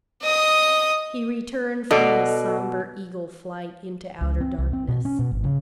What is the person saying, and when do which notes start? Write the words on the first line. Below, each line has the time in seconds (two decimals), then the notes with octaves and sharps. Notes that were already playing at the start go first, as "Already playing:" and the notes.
He returned from his sombre eagle flight into outer darkness.
0.22 D#5 D#6
1.91 B2 A4 D5 D#5
4.21 C#2
4.41 C4
4.58 C2
4.73 C4
4.88 B2
5.05 C#4
5.19 B2
5.31 G#1
5.44 C#3